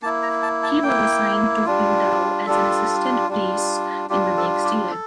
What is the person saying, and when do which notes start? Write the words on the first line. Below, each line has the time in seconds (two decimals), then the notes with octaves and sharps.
He was assigned to Qingdao as an assistant priests in the next year.
0.02 A#3 A5
0.05 E4
0.23 A#5
0.42 A5
0.63 A5
0.83 A#3 E4 G5
1.66 G3 D4 F4
2.46 G3 D4 F4 A4
3.29 G3 D4 F4
4.10 G3 D4 F4 G4
4.37 A4
4.64 G4
4.91 A4